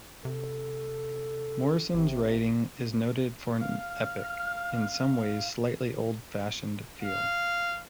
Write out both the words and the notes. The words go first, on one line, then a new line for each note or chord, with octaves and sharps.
Morrison's writing is noted for an epic, in some ways slightly old-fashioned feel.
C3 A4
G#1 C3
F5 F6
F5